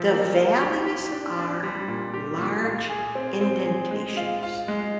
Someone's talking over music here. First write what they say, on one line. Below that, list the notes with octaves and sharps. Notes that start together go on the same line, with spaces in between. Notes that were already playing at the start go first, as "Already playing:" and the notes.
the valleys are large indentations.
Already playing: C3 F3
A#3
F4
G4
G4
D4
D4
G3
A#2
G4
A#2
F4
G#4
C4
C4
G#4
G#3
F4
F4
G#3